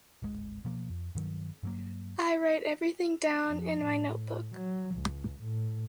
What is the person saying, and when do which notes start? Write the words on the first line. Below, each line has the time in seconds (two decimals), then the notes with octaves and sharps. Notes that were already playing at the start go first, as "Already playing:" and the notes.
I write everything down in my notebook.
0.22 D1 G#1 G#3
0.65 B2 F3 A#3
0.90 F2
1.15 G2 D#3 F#3
1.63 G2 F#3 A#3
3.47 F2
3.83 A2
4.55 F#3
4.96 C#2
5.41 A2